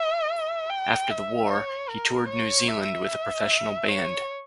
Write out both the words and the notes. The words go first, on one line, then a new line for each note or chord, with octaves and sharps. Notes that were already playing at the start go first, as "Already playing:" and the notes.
After the war, he toured New Zealand with a professional band.
Already playing: E5
G5
E5
C#5
A#4
C#5
E5
C#5